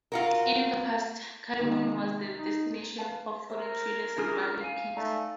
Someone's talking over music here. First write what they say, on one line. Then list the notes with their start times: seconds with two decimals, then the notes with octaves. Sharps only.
In the past, Karimun was the destination of foreign traders and the Malay Kings.
0.12 F4 F#4 A#4
1.61 C3 D#3 G#3
2.39 D#4
2.98 B4 F5 A5
3.50 A#4 C5 E5
4.18 C#4 D4 E4 F4 G#4
4.61 F5 G#5
4.96 A3 D#4 D5 A#5